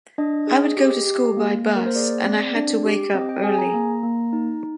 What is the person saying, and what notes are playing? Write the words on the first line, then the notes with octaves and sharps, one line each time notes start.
I would go to school by bus and I had to wake up early.
D4 D#5
G#4
G4
G4
A#3
A#3
A#4
C5
G#4 D5
C4
D4
G4
C4 D#5
G5
G#4 G#5
G#5
A#5
A#3 A#5
A#3
D#4